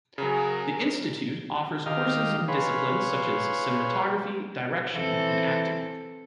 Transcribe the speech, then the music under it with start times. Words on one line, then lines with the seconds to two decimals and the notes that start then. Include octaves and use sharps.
The institute offers courses in disciplines such as cinematography, direction and acting.
0.18 C#3 F#3 G#4 A#4
1.86 D#3 G4 D#5 F5 F6
2.48 G#4 B4 C#5 F5 B5 C6
4.93 E3 C4 A4